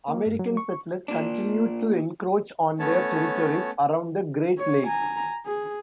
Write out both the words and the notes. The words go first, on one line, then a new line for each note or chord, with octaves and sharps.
American settlers continued to encroach on their territories around the Great Lakes.
A#3
G2
F#3
C#6
A#2 D4
A3 B3 C#4 C#5 A5
C#5
G#5 A#5
G#4